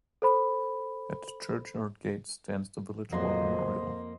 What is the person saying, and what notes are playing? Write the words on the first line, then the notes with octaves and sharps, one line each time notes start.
At the churchyard gate stands the village war memorial.
A4 C5 B5
F2 F#3 A#3 C5 D#5